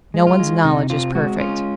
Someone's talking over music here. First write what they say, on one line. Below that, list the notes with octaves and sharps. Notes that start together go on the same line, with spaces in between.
No one's knowledge is perfect.
G#3
F4
G#3
C3 D#4
C4 F4
G#3 F#4
C#4 F4